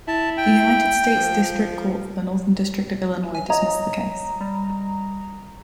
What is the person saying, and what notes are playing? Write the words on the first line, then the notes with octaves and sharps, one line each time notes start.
The United States District Court for the Northern District of Illinois dismissed the case.
E4 A5
G5
F3
G#5
C#5 D#5 A#5
G3